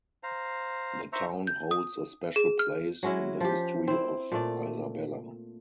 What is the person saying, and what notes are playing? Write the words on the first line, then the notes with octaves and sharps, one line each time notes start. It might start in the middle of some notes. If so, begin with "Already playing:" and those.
The town holds a special place in the history of Isabela.
C5 F5 A#5
C5 E5 A#5 C#6
G6
D#6
G#4
F6
F#3 G#3 C#4 E4
F3 G4
C4 E4
A#2 A3 D5